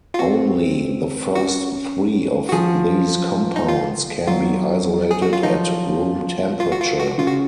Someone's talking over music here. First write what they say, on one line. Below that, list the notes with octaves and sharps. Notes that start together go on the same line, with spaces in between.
Only the first three of these compounds can be isolated at room temperature.
F4
C4 F#4
C#4 F#4
F#4
F3 G#4
D#4
F4
F#3 F4
G#4
F#4
F4
F3 D#4
F4
F#4
F4
F#4
C#3 F4
F#4